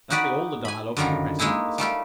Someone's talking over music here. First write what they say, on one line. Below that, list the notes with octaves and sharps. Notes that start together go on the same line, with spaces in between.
"That'll be all the dialogue for the present," he said.
D#4 F#4 G4 B4 D5
G#5 B5
F#2 D3 D#3 G3 F4 A#5
G#3 A#3 D#4 E4 G#4
G3 A3 F4 G4